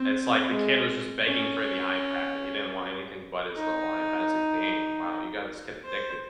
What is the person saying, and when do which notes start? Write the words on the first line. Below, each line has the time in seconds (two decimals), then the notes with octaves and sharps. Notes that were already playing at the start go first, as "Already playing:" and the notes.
it's like the kid was just begging for the iPad, he didn't want anything but his little iPad. It's like, "Dang. Wow, you got this kid addicted."
Already playing: C4
0.50 G#3
1.26 C#4
3.56 D#4
5.84 C5